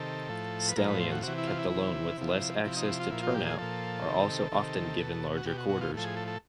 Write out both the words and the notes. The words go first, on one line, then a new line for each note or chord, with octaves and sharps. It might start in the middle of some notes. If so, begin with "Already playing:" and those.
Stallions, kept alone with less access to turnout, are also often given larger quarters.
Already playing: C3 D#3 A4
A2 F3
B4
A2 F3 A#4
B4
C5
F#4
C3 E3 F#4
E4
F4
E4
C3 E3
C3 F3
C3 F3 E4
D#4
E4
F4
A#2 F3 E4
F4
G4
G#4
A#2 F3 A4
C3 D#3
C3 D#3
B2
F#4
B2 G4
F#4
F#4
F4
A2 F3 A4
G#4
A4
A4